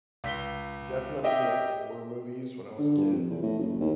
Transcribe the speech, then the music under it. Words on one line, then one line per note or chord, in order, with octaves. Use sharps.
definitely like horror movies when I was a kid,
C#2 B6 G7
G4 D#5 E5 G5
D3
G2
F2
E2
A2
F#1
D#2